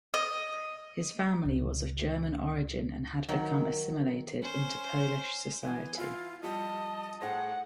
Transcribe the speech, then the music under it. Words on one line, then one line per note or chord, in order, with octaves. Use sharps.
His family was of German origin and had become assimilated into Polish society.
D#5
C#2 A#2
D#3 F#3
C#4 C5
E3 B3 G#5
E4 F4
F3 G3 G4 D#5 A5
A2 G#4 C5 F#5 A#6